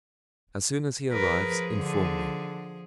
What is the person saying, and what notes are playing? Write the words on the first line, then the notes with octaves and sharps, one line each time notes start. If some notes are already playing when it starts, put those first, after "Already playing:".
As soon as he arrives inform me.
F3 G#4 A#4 B4
D3